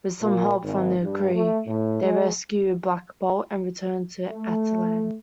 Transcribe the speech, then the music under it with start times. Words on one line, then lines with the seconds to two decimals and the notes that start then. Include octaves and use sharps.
With some help from the Kree, they rescue Black Bolt and return to Attilan.
0.22 A#2
0.63 G#1
1.02 G2
1.34 A3
1.66 A2
2.03 G#3
4.27 A3